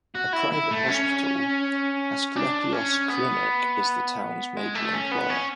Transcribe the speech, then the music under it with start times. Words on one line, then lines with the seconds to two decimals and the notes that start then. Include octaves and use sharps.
A private hospital, Asklepios Klinik, is the town's major employer.
0.15 F#4
0.33 E4
0.52 E4
0.71 A3
0.89 C#4
2.36 D4
2.73 C#4
3.09 B3
4.57 G#3
4.75 A3
4.94 C#4
5.12 B3
5.30 C#4